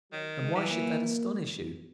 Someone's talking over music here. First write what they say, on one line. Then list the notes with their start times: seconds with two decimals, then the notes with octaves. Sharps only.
And why should that astonish you?
0.12 D#3 F#3
0.41 G#3
0.55 E3
0.70 A#3